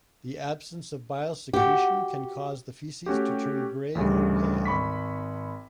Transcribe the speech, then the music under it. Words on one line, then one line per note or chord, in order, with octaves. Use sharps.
The absence of bile secretion can cause the feces to turn gray or pale.
F#4 G4
A3 C#4 F#4 G4
A1 D2 C#3 G3
G#1 B5 C#6 B6